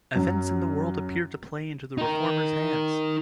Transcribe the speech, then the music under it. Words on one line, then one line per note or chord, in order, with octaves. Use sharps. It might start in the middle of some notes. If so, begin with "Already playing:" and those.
Events in the world appeared to play into the reformers' hands.
F#2
D#4 A#4